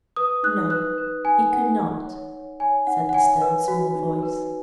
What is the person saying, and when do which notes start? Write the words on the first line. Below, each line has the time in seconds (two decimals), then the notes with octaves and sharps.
No! he could not, said the still small voice.
0.16 B4 D#6
0.43 D#4 F#6
0.70 B4 F#6
0.98 B4
1.25 D#4 G#5
1.52 D#4 F#5
1.80 D#4
2.07 C#5
2.33 C#5
2.60 C#5 G#5
2.87 D#4 F#5
3.09 F#5
3.14 C#5 G#5
3.42 B4
3.68 F#4
3.95 D#4
4.23 B4